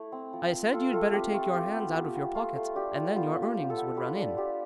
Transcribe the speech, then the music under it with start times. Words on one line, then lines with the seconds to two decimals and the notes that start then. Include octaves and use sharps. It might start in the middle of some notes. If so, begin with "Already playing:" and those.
I said you'd better take your hands out of your pockets, and then your earnings would run in.
Already playing: A3 E4
0.12 C4
0.33 F3
0.52 F3
0.73 C4 F4 A4
0.93 A3 F4 A4
1.13 C4 G4
1.34 A3 F4
1.54 F4 G4
1.74 B3
1.94 B3
2.15 B3
2.35 A3 F4
2.56 A3
2.75 D4 G4
2.95 F4
3.15 B3 F4
3.36 B3
3.42 G4
3.56 F4
3.70 F4 A4
3.77 B3
3.96 F4 G4 B4
4.17 D4
4.37 F4 G4